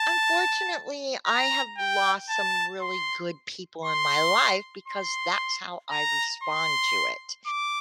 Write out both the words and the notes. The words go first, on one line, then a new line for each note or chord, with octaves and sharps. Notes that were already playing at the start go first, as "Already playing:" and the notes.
Unfortunately, I have lost some really good people in my life because that's how I respond to it,
Already playing: A5
A#5
G5
A5
C6
C6
C6
A#5
C6
D6